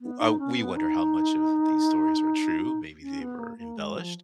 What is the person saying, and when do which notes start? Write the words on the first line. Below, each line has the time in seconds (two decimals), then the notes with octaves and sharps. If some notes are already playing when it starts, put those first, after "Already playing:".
uh we wonder how much of these stories are true, maybe they were embellished,
0.01 B3
0.20 D#4
0.39 C#4
0.58 B3
0.76 D#4
3.02 C#4
3.21 B3
3.39 A#3
3.58 A#3
3.77 G#3
3.96 F3